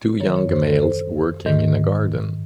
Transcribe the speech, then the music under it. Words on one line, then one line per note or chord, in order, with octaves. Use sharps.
Two young males working in a garden.
F#2 D#3 C#5
C#5
C5
A4
C5
G#2 D#3